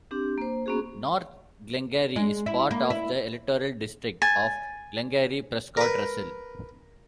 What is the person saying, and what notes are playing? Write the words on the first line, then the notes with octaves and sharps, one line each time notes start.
North Glengarry is part of the electoral district of Glengarry-Prescott-Russell.
C4 D4 G4
A#3 C5
A#3 B3 C#4 F#4 G#4
G#3
E4
A#3
E4
G#5 A6
A#4 B4